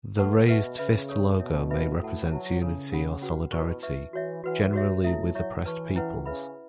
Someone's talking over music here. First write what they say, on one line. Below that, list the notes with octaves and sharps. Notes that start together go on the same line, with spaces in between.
The raised fist logo may represent unity or solidarity, generally with oppressed peoples.
A2 B4 F#5 A5 C#6
B2 B4 E5 C#6
C#3 B4 E5 B5
A4 C#5 A5 C#6
B2 A4 C#5 E5
B4 E5 B5
A2 F#4 A4 F#5 A5
F#3 E4 B4 E5 A5
C#3 E4 A4 C#5
C#4 A4 F#5 B5
C#4 F#4 B4 F#5
B2 E4 B4 A5 C#6
B4 E5 C#6
E3 F#4 C#5 E5
E3 F#4 B4 F#5
F#4 C#5 E5
A3 E4 A4 E5
F#3 E4 C#5 E5 C#6
E3 B4 A5 C#6
C#4 E4 B4 F#5
C#3 B4 E5 B5